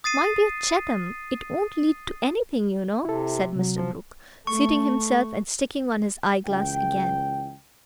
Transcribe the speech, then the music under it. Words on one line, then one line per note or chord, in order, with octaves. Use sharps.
"My dear Chettam, it won't lead to anything, you know," said Mr. Brooke, seating himself and sticking on his eye-glass again.
D#6 A6 C7 D#7
C3 E4 A4
C3 F#3
F3
A3 C#6
C#2 E3 G5